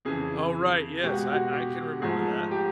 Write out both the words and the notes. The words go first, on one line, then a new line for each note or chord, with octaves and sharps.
Oh, right, yes, I I can remember that.
F2 C#3 E3 G#4
B2 G#3 B3 G4
F#4
F#4
G4
G#2 F3 A3 G#4
G4